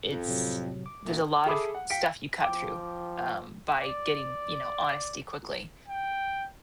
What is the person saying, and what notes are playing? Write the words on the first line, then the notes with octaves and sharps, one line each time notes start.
it's there's a lot of stuff you cut through, um, by getting, you know, honesty quickly,
F2
A2 C3 F#3
D6
D2 A#2
G#4 A4 E5 B5 D6 D#6
F#5
F5 G5 B6 C#7 D7
F3 G5 D6
D5
G5